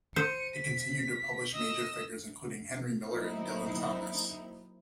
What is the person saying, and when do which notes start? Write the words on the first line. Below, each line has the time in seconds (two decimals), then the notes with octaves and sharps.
It continued to publish major figures, including Henry Miller and Dylan Thomas.
0.16 C5 C#7 D#7
0.56 B6
1.54 D#5 E6
3.07 F#3 A#3 C4 D#4 E4